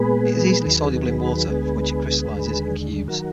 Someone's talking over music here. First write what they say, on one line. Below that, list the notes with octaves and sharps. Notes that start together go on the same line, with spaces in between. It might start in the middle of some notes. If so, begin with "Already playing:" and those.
It is easily soluble in water, from which it crystallizes in cubes.
Already playing: A#2 G#3 B3 G#4 B4
D#2 D#3 F#3
D2 D3 G#3 B3
D#2 D3 G#3
D#3 F#3 F#4 A#4